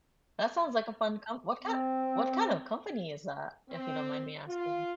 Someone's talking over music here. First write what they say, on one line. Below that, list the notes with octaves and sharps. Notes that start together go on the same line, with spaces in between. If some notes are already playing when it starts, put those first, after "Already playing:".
that sounds like a fun comp what kind what kind of company is that, if you don't mind me asking?
C4
C4
F4